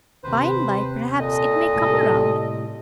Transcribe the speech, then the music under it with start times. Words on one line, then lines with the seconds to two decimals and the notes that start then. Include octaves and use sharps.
By-and-by, perhaps, it may come round.
0.24 D#2 C3 B4 C5
1.19 A#2 A4 D#5
1.73 A2 C3 G3